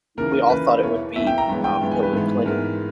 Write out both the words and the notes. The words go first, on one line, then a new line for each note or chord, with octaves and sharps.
we all thought it would be, um, Hillary Clinton.
D#2 C#3 E3 A#4
D#2 C#3 E3 B4
E2 B2 A#3 E4 C#5
E2 B2 A#3 E4 E5
G5
A#5
G2 E3 G#3 B3
G5
G2 E3 G#3 B3
G#5
B4
G#2 E3 G#3 B3
G#2 E3 G#3 B3 A#4